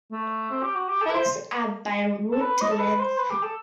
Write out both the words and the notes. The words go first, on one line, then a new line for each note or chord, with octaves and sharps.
Fares are by route length.
A3
C4
G4
F#4
G4
A4
B4
C5
A4
B4
D#5
A4
B4
C5
B4
G4
A4